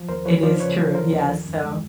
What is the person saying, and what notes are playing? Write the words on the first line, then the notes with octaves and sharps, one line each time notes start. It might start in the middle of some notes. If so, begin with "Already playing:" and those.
It is true. Yes, so
Already playing: F3
D#2 A#4 C5
F3 B4 C#5
F3 C5 D5
C#3 B4 C#5
F3
F3 A#4 C5
D#2
D#3
F#2
G#3